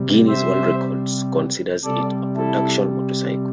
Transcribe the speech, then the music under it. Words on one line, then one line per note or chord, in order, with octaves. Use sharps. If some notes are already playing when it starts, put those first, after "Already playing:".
Guinness World Records considers it a production motorcycle.
Already playing: C3 G3
C5 E5
C3 G3 A4 D5
E4 A4